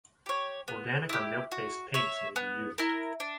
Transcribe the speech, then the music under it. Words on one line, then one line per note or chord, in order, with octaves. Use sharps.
Organic or milk-based paints may be used.
G4 C#5
B3
E4 G4
F#4
C#5 E5
B3
E4 A#4
D4